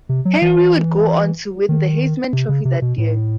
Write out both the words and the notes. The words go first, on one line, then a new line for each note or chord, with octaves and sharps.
Henry would go on to win the Heisman Trophy that year.
C3
F#3
E3
D#3
C3
C#3
C3
B2
A2